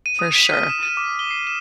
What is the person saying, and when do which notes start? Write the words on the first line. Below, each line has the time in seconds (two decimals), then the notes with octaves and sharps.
For sure.
0.06 D#7
0.19 D#6
0.35 B6
0.52 F6
0.69 E7
0.83 D#7
0.97 D6
1.19 G7
1.30 C7
1.47 E7